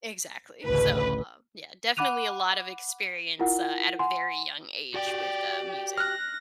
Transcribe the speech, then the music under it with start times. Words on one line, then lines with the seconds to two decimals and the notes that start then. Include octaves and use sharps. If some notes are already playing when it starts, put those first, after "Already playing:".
Exactly. So, um, yeah, definitely a lot of experience, uh, at a very young age with, uh, music.
0.65 A1 D2 C#3 B4
1.97 F#5 B5 D6 F#6 D#7 F7
3.39 E4 F4 A#4 F#5
3.99 F#5 G#5 C6
4.94 F#4 G4 D5 G5
5.98 F6 F#6 A#6